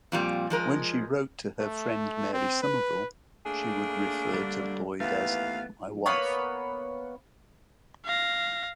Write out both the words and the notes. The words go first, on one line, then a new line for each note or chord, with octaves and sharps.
When she wrote to her friend Mary Somerville, she would refer to Lloyd as “my wife”.
F2 A#2 G3
F3 G#3 A#4
A3
C4
B4
A3 A#3 D4 G#4
D3 G3
D#2 E3 A3 B3 F5
A#3 B3 B4 C#5
F5 A#6